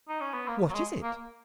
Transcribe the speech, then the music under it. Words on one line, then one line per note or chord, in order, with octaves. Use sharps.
"What is it?"
D#4
C#4
B3
A#3
F#3
G#3
A#3